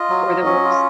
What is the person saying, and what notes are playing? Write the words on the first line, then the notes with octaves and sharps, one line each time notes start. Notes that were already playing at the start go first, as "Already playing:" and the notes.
Or the worst
Already playing: F4 D#5
F#3
F#3
C#4
F4